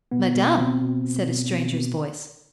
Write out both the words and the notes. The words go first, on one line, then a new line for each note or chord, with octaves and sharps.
"Madame!..." said a stranger's voice.
B2 B3
B2
B2 C4
B2
B2
B2
B2
B2